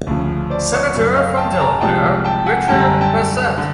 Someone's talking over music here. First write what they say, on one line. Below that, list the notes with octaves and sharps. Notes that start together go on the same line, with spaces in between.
Senator from Delaware, Richard Bassett.
D2 C#3 F3
C5 D5
C#5 D#5
F#2 C#3 F#3
D#5 F5
G5 A5
A5
G#5 A#5
C2 C3 F3 G#3 G5 A5
G5 A5
F#5 G#5
F#2 D3 G3 G5 A5
G#5 A#5
G5 A5
D3